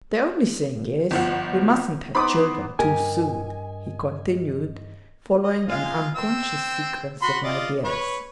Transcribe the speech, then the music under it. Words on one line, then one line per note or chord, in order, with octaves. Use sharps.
"The only thing is, we mustn't have children too soon," he continued, following an unconscious sequence of ideas.
G1 F3 F#5
B3 D#4 C5 B5 D6 D#6
G2 G4 A#4 D#5 G#5
D#5
G#3 F4 F5
C4 E6
F#4 B5 C6
F4 D5 D#5
B4 C#5